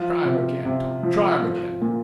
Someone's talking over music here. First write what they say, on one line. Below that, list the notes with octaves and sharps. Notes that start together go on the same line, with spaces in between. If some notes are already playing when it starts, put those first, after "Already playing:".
'Try 'em again, Tom; try 'em again.'
Already playing: F3 F4
C3
C3
F3
F3
A#2